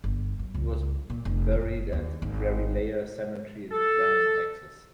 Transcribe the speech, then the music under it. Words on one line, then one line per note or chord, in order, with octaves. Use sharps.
He was buried at Prairie Lea Cemetery in Brenham, Texas.
G1
F#2
C#2
A#2
F1
F#1
D#2
G#1
A4